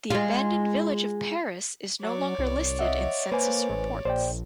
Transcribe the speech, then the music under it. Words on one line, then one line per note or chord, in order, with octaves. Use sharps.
The abandoned village of Paris is no longer listed in census reports.
G#3 F4
F#3 C#5 D5
C2
D#5 E5 F#5
A#3 B4 C5 G#5
A1
A#1 C5 D5 G5